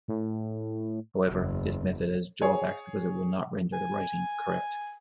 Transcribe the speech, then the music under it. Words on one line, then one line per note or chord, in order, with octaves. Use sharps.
However, this method has drawbacks because it will not render the writing "correct".
A2
F#1 E2
G#4 C#5
G#5